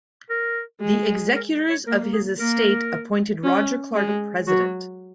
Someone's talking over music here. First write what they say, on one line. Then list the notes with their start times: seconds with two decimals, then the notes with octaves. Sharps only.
The executors of his estate appointed Roger Clark president.
0.30 A#4
0.82 G#3
1.35 A#4
1.70 C#5
1.87 A#3 A#4
2.13 G#4
2.39 A#3 A#4
3.43 C#4
3.95 G#3
4.47 F#3 F#4